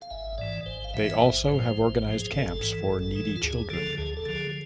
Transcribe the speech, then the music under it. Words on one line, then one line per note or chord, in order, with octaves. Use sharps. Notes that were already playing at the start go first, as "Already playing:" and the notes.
They also have organized camps for needy children.
F5
G#1 E5
G#2 E3 D5
G#1 C5
F5
G#2 E3 E5
A1 C5
G#2 F3
A1
G#2 F3
G#4
G#1 A4
G#2 E3
G#1
G#2 E3
F4
D2 G#4
D3 F3 A4
D2 G#4
A4
D3 F3
G#4